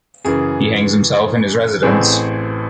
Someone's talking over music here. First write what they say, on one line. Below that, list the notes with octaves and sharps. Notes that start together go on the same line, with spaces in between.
He hangs himself in his residence.
F#2 C#3 E3 G#4
A1 A2 E3 C4 G#4